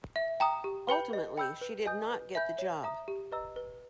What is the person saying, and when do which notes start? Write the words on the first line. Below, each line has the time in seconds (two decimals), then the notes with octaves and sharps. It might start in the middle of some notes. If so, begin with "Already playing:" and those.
Ultimately, she did not get the job.
0.16 E5
0.40 G5 A#5 D#6
0.64 G4
0.89 B4 G5 B5 G6
1.13 D#5
1.38 G5 B5 E6 G6
1.61 B4
1.86 D#5 G#5 D#6 G6
2.11 B4
2.35 E5 G#5 B5 G6
2.59 C#5
2.83 E5 A#5 D#6
3.08 G4
3.32 B4 D#5 A#5 E6
3.56 B4